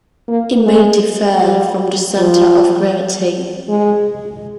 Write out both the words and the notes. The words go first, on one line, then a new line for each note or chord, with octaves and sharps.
It may differ from the centre of gravity.
A#3
G#3
G3
F3
G#3